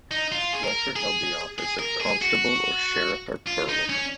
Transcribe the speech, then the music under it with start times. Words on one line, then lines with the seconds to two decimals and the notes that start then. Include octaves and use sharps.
Walter held the office of Constable or Sheriff of Berwick.
0.11 D#4
0.32 F4
0.53 G#4
0.64 A#4
0.96 G#4
1.58 G#4
1.79 A#4
2.00 G#4
2.22 F#4
3.47 F4
3.69 D#4
3.89 C#4